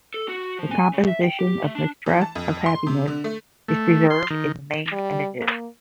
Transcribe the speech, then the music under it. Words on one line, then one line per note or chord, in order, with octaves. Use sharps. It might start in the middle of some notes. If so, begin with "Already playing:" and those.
The composition of mistrust of happiness is preserved in the main images.
A4
F#4
F3
G#5
C#3
E5
G5
G4
A3
D4
E3
A5
F2
C6
C3
D3
A3
A3
C6
D#3
G3
A#3